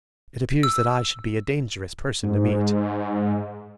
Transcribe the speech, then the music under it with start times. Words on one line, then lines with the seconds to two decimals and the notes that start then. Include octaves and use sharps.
It appears that I should be a dangerous person to meet.
0.63 E6
2.23 G#2